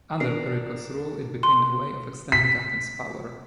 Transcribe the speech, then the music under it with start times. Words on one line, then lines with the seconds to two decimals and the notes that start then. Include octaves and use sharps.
Under Pericles' rule, it became a way of extending Athens' power.
0.20 D4 A#4 C7
1.43 C6
2.32 B6